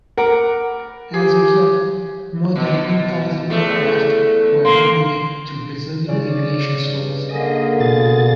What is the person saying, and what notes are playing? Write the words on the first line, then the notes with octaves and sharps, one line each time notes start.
As a result, more than one thousand aircraft were donated to Brazilian aviation schools.
A#4 F#5 B5 D6
G4 G#4
B2
E2 A3
A#3 C6
C#3 D5
G2
D3 A#3 G#4 D#5
B2 A6